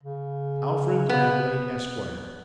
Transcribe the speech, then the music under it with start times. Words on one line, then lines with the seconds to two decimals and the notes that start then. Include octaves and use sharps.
'Alfred Lammle, Esquire.
0.03 C#3
1.09 B3